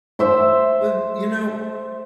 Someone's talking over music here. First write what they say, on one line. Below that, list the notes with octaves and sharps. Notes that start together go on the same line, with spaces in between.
w you know,
C5 E5 C6